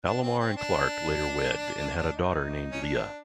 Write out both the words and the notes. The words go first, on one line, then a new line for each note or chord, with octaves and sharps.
Alomar and Clark later wed and had a daughter named Lea.
D4
C4
C4
D4
D#4
C#4
D4